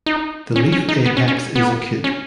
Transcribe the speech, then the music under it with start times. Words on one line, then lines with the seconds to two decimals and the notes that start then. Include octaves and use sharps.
The leaf apex is acute.
0.06 D#4
0.56 C#4
0.72 C#4
0.88 D#4
1.06 B3
1.17 C#4
1.28 C#4
1.55 B3
2.04 C#4